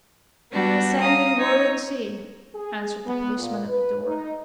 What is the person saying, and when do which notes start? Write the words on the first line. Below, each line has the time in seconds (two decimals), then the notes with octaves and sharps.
"I'll send in word and see," answered the policeman at the door.
0.52 G3 B3 D4 F#4
1.00 F5 A#5 D#6
1.37 D#4 C#5
2.54 G#4
3.06 B3
3.38 A#2
3.68 B4
4.05 D#4